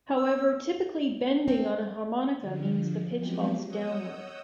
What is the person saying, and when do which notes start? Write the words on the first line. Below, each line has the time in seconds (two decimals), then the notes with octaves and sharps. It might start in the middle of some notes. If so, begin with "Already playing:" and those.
However, typically "bending" on a harmonica means the pitch falls downward.
0.16 E6
1.48 C4
2.39 D3 F3
3.15 F3 F#3 G#3 B3 C4 G4
3.66 C#5 D#5 F#5 D#6 E6 G6